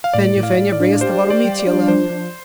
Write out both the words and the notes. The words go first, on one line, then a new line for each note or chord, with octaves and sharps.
Fenya, Fenya, bring us the bottle Mitya left!
F5
A2 D5
A2
F5
A2
D5
D4
G4 C5
G4
D5
G3
D5
D4
F3 C5
F3